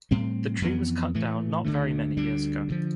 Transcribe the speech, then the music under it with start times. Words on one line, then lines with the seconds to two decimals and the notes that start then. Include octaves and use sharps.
The tree was cut down not very many years ago.
0.11 A2 G3 C4
0.62 F2 E3 B3
1.14 A2 E3 A3
1.65 D2 D3 F3 A3
2.17 D2 D3 G3 D4
2.68 D2 D3 F3